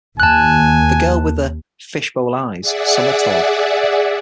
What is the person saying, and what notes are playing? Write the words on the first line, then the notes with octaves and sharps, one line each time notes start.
"The Girl with the...Fishbowl Eyes" Summer Tour.
D#2 G#5 A5 F#6
G#4 D5 E5 F#5